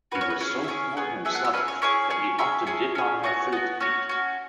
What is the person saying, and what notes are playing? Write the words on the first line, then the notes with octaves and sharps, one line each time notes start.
He was so poor himself that he often did not have food to eat.
C#4 F#4 B4
C#5
B4
C#4 E4 G#4
E5
C#4 E4 G#4 C#5
B3 G#4
B3 G#4 E5
F#5
E5
C#4 E4 G#4 B4
C#5
C#4 E4 G#4 C#5
C#4 G#4
C#4 G#4 E5
C#4 G#4
C#4 G#4
B3 F#4 C#5
B3 F#4
C#4 F#4 C#5
C#4 F#4